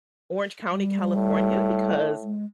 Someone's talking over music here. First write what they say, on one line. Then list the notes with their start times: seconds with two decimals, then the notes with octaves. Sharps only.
Orange County, California, because
0.71 G3
1.15 A2
2.23 G#3